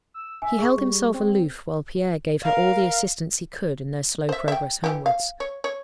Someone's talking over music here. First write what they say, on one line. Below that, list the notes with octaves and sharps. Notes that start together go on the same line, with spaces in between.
He held himself aloof while Pierre gave her all the assistance he could in their slow progress homewards.
E6
E5 G#5
G#4 C#6
G3
C4
A#4 F5
C5 E5
E5 G5
E3 G4
F5
C#5
C#5